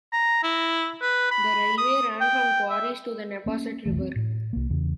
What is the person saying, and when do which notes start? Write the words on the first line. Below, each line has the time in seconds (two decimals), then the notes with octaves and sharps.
The railway ran from quarries to the Neponset River.
0.13 A#5
0.43 E4
1.02 B4
1.31 B5
1.78 D#6
2.21 G5
2.70 E5
3.46 A#3 C#4
3.86 F1 B1 E3 A3
4.00 C4
4.16 A2
4.53 C2 A#3
4.70 E2 C#3